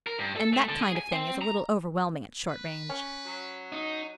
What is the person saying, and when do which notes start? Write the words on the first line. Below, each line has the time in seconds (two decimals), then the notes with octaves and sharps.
And that kind of thing is a little overwhelming at short range.
0.07 A#4
0.19 G2
0.36 A4
0.53 A3
0.69 D3
0.82 G#4
0.97 G#5
1.12 C4
1.42 A#5
2.49 B4
2.90 C#4
3.27 F#3
3.72 D#4